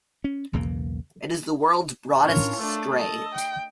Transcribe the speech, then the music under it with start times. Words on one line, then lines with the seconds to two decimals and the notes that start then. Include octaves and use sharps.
It is the world's broadest strait.
0.24 C#4
0.53 B1 E2 C#3 A#3
2.25 A2 C#4 D4 F4 A#4 C#5
2.58 A3 D4 A4
2.98 D#5 A5
3.34 G5